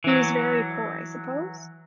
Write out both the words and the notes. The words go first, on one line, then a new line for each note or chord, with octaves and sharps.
He was very poor, I suppose?
E3 F#3